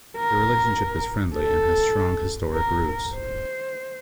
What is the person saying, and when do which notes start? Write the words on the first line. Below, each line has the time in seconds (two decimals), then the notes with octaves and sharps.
The relationship is friendly and has strong historic roots.
0.17 A#4
1.35 A4
2.53 A#4
3.13 C5